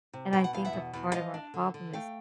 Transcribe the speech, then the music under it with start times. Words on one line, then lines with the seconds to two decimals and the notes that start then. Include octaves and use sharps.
and I think a part of our problem is
0.13 C3
0.33 B2 G5
0.44 F#5
0.53 E2 F5
0.65 E5 F#5
0.73 B2
0.93 E2
1.13 F3 D#5 F5
1.34 D4
1.54 D3
1.74 D3
1.93 A3 F5 G5